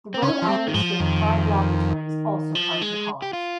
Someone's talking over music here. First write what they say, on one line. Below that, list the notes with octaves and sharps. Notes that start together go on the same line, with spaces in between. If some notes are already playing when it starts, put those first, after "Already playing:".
The Rhode Island State Crime Laboratory is also part of the College.
C4
C#3 C#4
F3
G3 C4
D#3
G#2 F3
F2 D#3
F3
G#3
G4
F4